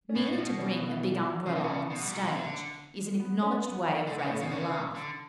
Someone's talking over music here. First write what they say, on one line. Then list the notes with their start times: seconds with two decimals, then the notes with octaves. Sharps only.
Merely to bring a big Umbrella on the stage is an acknowledged way of raising a laugh.
0.09 C#4
0.15 A2 B3
0.32 A2
0.37 B2 D4
0.59 C#4
0.70 B3
0.81 B3
0.92 E3
1.02 E3
1.10 A3
1.14 G3
1.25 F#3
1.36 G3
1.46 C#3 C#4
1.55 B2
1.64 C#3 D4
1.90 B2 B3
2.01 G3
2.12 F#3
2.23 E3
2.33 D3
3.20 B3
3.43 C#4
3.64 B3
4.07 D3 A3
4.19 C#3
4.25 B3
4.29 A2 C#4
4.41 B2
4.46 C#4
4.51 C#3 D4
4.95 D3